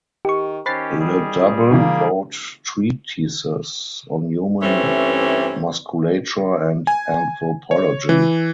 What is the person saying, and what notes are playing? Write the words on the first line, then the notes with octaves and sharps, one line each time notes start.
Le Double wrote treatises on human musculature and anthropology.
D#3 G4 C#6
D#3 C#4 G4 C5 B5 A6 C7
G3 G#4
F4 D#6
C#3 E3 A#3 D#4 F4 F5
G2 E3 A3 C4 C#4
G#5
C#5
E3